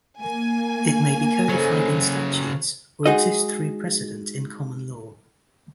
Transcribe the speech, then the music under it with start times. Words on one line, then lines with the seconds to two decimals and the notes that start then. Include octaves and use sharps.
It may be codified in statutes or exist through precedent in common law.
0.20 A#3 G#5
1.49 C#3 F#3 A4 C5 D#5
3.06 G#3 D#4 F#4 G#4 D#5